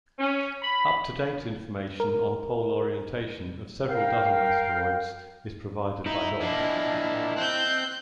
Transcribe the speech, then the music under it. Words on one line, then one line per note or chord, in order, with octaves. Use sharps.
Up-to-date information on pole orientation of several dozen asteroids is provided by Doc.
C#4
B5
A#4
A#4 F5 G5
D#4 E4
A#3 D4 D#5 F#5 A5
C4 F#6 G6